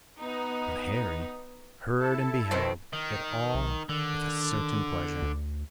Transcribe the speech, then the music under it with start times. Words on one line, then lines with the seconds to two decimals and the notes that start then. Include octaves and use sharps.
But Harry heard and beheld it all with a certain pleasure.
0.19 B3 D#4
2.00 E4 A4 A5
2.51 B2 D#3 C4
2.93 D#3
3.54 B1
3.89 D3 D#3
5.22 D2